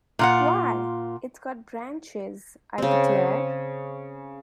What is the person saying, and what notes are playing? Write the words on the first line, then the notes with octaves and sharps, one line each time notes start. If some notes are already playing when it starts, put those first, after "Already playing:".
Why, it’s got branches, I declare!
A#2 F4 F#5
C#3 C4